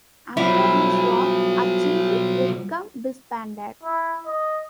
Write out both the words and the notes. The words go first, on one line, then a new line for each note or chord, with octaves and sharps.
After this was achieved Redgum disbanded.
B2 F#3 G3 E4 F4 C5
E4
D#5